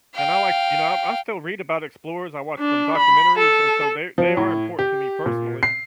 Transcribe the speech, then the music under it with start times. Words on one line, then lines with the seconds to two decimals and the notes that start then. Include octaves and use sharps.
And I like you know, I I still read about explorers. I watched some documentaries, and so they're they are important to me personally.
0.15 F5 G5
2.59 D4
2.97 B5
3.38 A4
4.18 F3
4.37 A2
4.79 G4
5.26 A#2
5.63 C7